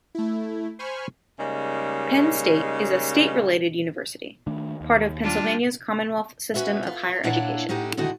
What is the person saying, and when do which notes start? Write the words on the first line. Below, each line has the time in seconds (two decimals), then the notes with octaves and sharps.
Penn State is a "state-related" university, part of Pennsylvania's Commonwealth System of Higher Education.
0.15 A3 E4
0.79 C5 G#5 B5 C#6 F6
1.39 C#3 G3 G#3 A#3 D#4
4.47 D#3 A3 D4
4.81 D#2
5.22 G3 D4 F4
6.54 C#4 F#4 B4 E5
6.83 F4 B4
7.23 A#2 A#3 D4 E4 C#5 F#5
7.69 A2 C#4 D#4 F#4 G4
7.97 G#2 D3 D#3 E4 F#4